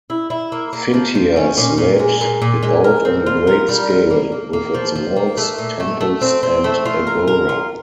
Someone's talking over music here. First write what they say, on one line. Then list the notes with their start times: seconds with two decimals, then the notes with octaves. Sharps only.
Phintias laid it out on a great scale, with its walls, temples, and agora.
0.10 E4
0.30 E4
0.52 A#3
0.73 A#3
0.94 F3
1.15 F3
1.36 C#4
1.57 A#2
1.78 A#2
1.99 G#3
2.21 A#2
2.42 A#2
2.63 G#3
2.84 A#4
3.05 C4
3.26 F4
3.47 A#4
3.69 G3
3.90 A#4
4.10 A#3
4.32 A#3
4.53 A#3
4.74 F3
4.95 F3
5.16 A#3
5.37 A3
5.58 A#2
5.80 A3
6.01 A3
6.22 C4
6.43 C4
6.64 A3
6.85 F4
7.07 A#4
7.27 A#4
7.49 F4